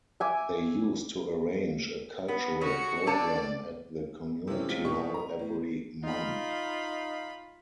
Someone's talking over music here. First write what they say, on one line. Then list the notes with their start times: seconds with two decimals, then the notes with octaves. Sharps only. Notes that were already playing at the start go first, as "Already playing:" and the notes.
They used to arrange a cultural programme at the Community Hall every month.
0.20 E5 G#5 D6
2.28 B3
2.61 C#3 F#4 C#5 C#7
3.07 D3 C#5 D5 A5
4.47 C3 E3 C4 C#4
4.69 F3 G#3 F4 G4 B6
4.85 B2 E3 D#4 G4 D#5 C#6
5.14 A#5
5.39 A2
6.03 D#4 F4 F5 B5